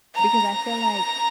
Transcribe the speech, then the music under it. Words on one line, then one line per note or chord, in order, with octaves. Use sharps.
because I feel like
A#5